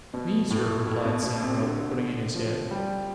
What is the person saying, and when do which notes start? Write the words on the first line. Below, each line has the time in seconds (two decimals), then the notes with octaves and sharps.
'Me, Sir,' replied Sam Weller, putting in his head.
0.14 B2
0.50 A2
0.87 A2
1.05 B2
1.24 B2
1.42 C3
1.60 D3
2.34 F3
2.71 G3